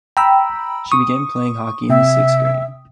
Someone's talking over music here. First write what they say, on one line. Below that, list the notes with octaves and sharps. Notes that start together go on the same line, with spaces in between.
She began playing hockey in the sixth grade.
G5 A#5 B5 E6
C#6 D#6
C3 E5 G5